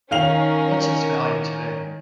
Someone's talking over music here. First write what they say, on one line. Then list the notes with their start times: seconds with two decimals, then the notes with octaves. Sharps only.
What's its value today?
0.11 D#3 C#4 A#4 F5 F7